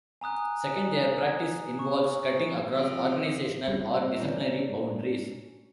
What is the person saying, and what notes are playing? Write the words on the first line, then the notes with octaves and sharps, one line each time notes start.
Second, their practice involves cutting across organizational or disciplinary boundaries.
G#5 A#5 D#6 F#6
G#6
C#6
F3 C4
F#3 G3 C4
C#4 D4 C5 A#5